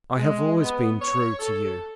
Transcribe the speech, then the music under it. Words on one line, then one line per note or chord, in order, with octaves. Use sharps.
I have always been true to you.
G#3
B3
C#5
A4